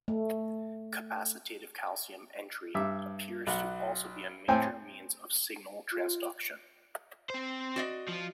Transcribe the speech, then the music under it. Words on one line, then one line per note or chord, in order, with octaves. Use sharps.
Capacitative calcium entry appears to also be a major means of signal transduction.
A3
G2 E5 D6
B1 F#5
A2 A3 C4 G5 G#5
F4
C4 C5
F#4 D5 D#5
F3 F4